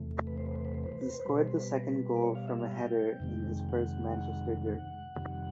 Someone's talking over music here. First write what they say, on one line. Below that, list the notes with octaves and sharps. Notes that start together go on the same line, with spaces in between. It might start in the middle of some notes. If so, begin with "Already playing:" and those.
He scored the second goal from a header in his first Manchester derby.
Already playing: E2 C3 E3 A3
B4
C5
B4
C5
B4
C5
B4
C5
B4
C5
B4
B2 G3 C5
B4
C5
B4
D5
C#5
F5
E5
F5
G5
F2 C3 D#3 G#3
F#5
F#5
F2 C3 D#3 G3